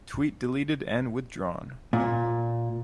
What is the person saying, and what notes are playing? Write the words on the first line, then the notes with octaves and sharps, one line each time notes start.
Tweet deleted and withdrawn.
A#2